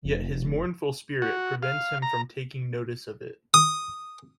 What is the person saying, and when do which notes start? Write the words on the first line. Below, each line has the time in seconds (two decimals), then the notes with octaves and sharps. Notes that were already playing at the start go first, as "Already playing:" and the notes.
Yet his mournful spirit prevents him from taking notice of it.
0.05 F1
1.22 F#4
1.63 F5
2.02 A#5
3.54 D#6